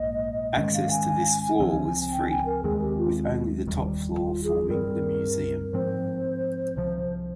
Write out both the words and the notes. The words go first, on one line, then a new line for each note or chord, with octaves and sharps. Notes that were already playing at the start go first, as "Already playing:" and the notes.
Access to this floor was free, with only the top floor forming the museum.
Already playing: A#1 G#2 A#3 D#5
G#2 D#3 G#3 C#4 D#5
F5
G#5
C#2 C3 F3 C4
G5
G#5
A#4
D#2 D#3 G#3 C4 G#4
G4
F4
F1 D#2 D#3 G3
F4
G#4
G2 G3 C4 A#4
G#2 F3 C4 C5
C2 C3 F3